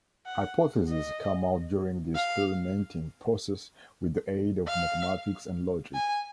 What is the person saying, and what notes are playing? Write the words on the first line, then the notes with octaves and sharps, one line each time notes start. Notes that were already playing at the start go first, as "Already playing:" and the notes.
Hypothesis come out during the experimenting process with the aid of mathematics and logic.
F#5
D#5
F5
F5
G#5